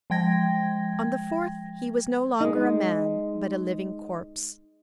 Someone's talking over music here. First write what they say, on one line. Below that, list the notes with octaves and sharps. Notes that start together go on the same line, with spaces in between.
On the fourth, he was no longer a man, but a living corpse.
F3 G#3 G5 G#6 A#6
G#3 D#4